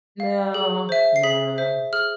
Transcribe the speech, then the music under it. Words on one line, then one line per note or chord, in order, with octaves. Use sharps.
No, no.
F5
G#4
C5 E5
C7
G#4 B6
C5 E5
G#4 F6